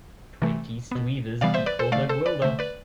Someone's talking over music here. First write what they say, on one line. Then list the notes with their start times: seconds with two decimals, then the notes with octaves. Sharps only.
Twenty stuivers equalled a guilder.
0.42 C3 E3 A3
0.91 B2 B3
1.41 C3 E3 G3 B3 D5 F5
1.54 C5 E5
1.66 B4 D5
1.79 A4 C5
1.92 D3 A3 D5 F5
2.09 A4 C5
2.26 B4 D5
2.42 D3 A3 C5 E5
2.59 B4 D5